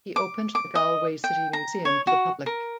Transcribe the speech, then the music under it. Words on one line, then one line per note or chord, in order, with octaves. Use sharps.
He opened the Galway City Museum to the public.
D6
D6
D#5
G5
A#5
C#5
F#4
A#4